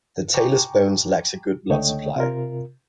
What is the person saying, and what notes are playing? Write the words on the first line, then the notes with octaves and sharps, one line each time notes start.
The talus bone lacks a good blood supply.
G5 G#5 A#5 C#6 D6
C#2 D3 A3 C#5 D#5 G5
C3 F4 A#4